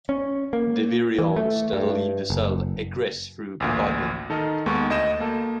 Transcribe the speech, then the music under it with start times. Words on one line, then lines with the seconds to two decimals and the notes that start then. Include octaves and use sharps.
The virions that leave the cell egress through budding.
0.09 C#4
0.53 A#3
1.19 E3
1.36 A3
1.73 G2
2.30 F#1
3.60 A1 D2 A#2
4.30 D#3 A4 A#4 D#5
4.66 D#2 G#3 B3 C#6
4.90 D2 D#5 G6 E7
5.20 A#3 A4